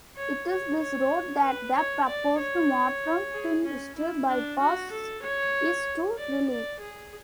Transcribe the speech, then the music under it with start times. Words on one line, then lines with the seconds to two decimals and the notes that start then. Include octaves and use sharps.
It is this road that the proposed Mottram-Tintwistle Bypass is to relieve.
0.16 C#5
0.48 C#5
0.80 C#5
1.43 B4
1.75 C#5
2.06 D5
2.38 C#5
3.32 G#4
3.64 C#4
3.96 E4
4.28 D4
4.59 F#4
4.91 A4
5.22 C#5
6.17 D5
6.49 D5
6.80 G#4